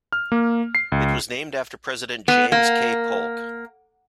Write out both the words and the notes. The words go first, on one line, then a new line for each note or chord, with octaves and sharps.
It was named after President James K. Polk.
F6
A#3
C7
C#2
B3
A#3